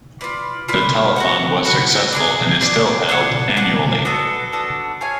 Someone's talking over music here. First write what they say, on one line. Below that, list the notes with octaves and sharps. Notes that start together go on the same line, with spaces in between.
The telethon was successful and is still held annually.
F4 B4 D5
F4 B4 D5
F#4 B4 F#5
F#4 B4 F#5
D4 G#4 D5
D4 G#4 D5
D4 G#4 D5 F#5
D4 G#4 D5 F#5
B3 D4 F#4 A4
B3 D4 F#4 A4
G#4 C#5 F5 G#5